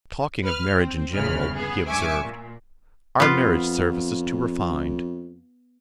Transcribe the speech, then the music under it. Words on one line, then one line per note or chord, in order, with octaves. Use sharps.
Talking of marriage in general, he observed, 'Our marriage service is too refined.
B4 F6
C4
G1 E2 C#3 G#3 B5 F6
B3 G#4
G2 E5 G#5 C#6 D6 C#7
A#2
F2 B3 F4